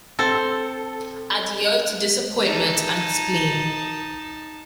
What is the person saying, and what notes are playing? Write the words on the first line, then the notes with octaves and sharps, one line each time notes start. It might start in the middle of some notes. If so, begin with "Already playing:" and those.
Adieu to disappointment and spleen.
C4 A4
D#4 A5